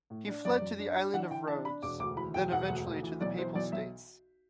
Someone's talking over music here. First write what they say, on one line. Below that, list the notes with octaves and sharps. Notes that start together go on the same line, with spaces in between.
He fled to the island of Rhodes, then eventually to the Papal States.
A2
D4
F#2 D5
F#2
D4
D4
E3 F#5
E3 G5
D4 A5
D4 B5
E1 D6
D2 D6
E3 B5
E1 G5
E1 F#5
D2
D2
E3
B1 D5
E3 C5
B1 D5
B1 E5